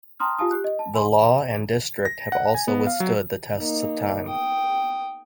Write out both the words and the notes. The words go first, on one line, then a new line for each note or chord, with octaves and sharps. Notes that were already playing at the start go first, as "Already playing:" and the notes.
The law and District have also withstood the tests of time.
G5 A5 A#5 C6 D#6 F6
F4 G4 F5 G#5 A5 D#6
G4 F#6
D#5
A5
G#5 B5 C6
A#6
F#5
G#5
B3
F5
F#3
A#3 D#4
G5 D#6